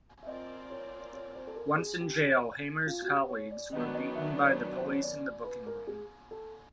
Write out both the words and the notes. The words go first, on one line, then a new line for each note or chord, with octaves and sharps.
Once in jail, Hamer's colleagues were beaten by the police in the booking room.
E5
C4 F4 A#4 D5 D#5
C#5
C#5
C5
A4
A#4
G#4
G4
F4
F#4
G4
C#5
D5
D#3 F#3 B3 D4 D#5
D#5
E5
D5
D5
C5
C#5
D5
B4
A#4
G#4
A4